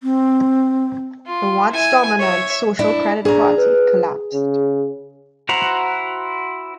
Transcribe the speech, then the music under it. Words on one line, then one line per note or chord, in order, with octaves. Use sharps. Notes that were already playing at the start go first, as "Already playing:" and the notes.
The once-dominant Social Credit Party collapsed.
C4
F4
E4 G#5
C#5 E5
D4 E4
D4 G#4 A#5
B4
C#3
E4 F#4 C5 F#5 A#5